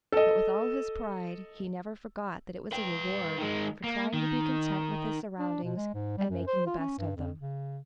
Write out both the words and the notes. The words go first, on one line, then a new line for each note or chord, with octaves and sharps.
But with all his pride he never forgot that it was a reward for trying to be content with his surroundings and making the best of them.
A4 D#5
B4 G5
D#3 G#3
A#3
D#3
D4
B2
G#3
G#2
G3
F#2
C5
F4
C#4
G2
F2
C#3